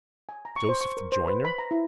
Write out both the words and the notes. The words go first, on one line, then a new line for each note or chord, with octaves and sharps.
Joseph the Joiner?
G#5
A#5
C#6
C5
C#6
A#4
C5
B4
B5
A#5
E4